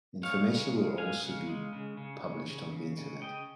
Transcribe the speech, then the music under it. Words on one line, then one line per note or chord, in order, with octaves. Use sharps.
Information will also be published on the internet.
G#3 C#5 F5
C#3
G#3
G#3 F5 G#5
C#3
G#3
C#3
C#3
C#3
C#3
C#3
C#3
C#3 D#5 G5